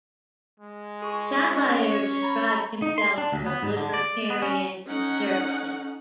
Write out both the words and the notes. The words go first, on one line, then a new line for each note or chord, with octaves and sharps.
Safire described himself as a libertarian conservative.
G#3
G#4 C#6
C#4
C#5
A#5 B5 C#6
D#4
C6
D4
D2
B3
G#2
D3
D5
B3
C#4
C#4 D#4 A4 F#5